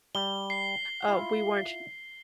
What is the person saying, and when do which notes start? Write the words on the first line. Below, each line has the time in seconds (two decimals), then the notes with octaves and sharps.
uh, we weren't
0.15 G3 G7
0.50 C7
1.08 E4 F4